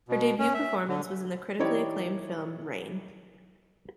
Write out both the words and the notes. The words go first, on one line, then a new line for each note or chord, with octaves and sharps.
Her debut performance was in the critically acclaimed film "Rain".
B2
C#4
E5
D3
E3 D#4 E4 G4 C#5 D5